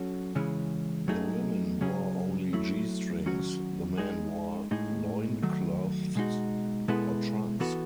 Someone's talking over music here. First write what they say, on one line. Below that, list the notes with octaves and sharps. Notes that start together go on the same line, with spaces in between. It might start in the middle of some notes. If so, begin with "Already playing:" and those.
The women wore only G-strings; the men wore loincloths or trunks.
Already playing: F#3 C#4 F#4 A4
C#3 E3 G#3 C#4
F#3 A3 D#4 G#4
C#3 F#3 C#4 G#4
F#3 A3 E4
D#3 F#3 C#4 F#4
G#3 D#4 G#4
A2 G#3 D#4 G#4
D#3 F#3 A3
B2 G#3 D#4 F#4
B2 G#3 B3 E4 A4
E3 B3 F#4 A4